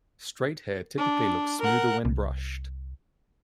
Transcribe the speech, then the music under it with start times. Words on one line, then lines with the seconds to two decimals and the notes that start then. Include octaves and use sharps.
Straight hair typically looks smoother when brushed.
0.98 D4
1.62 A#4 F#5
2.05 C2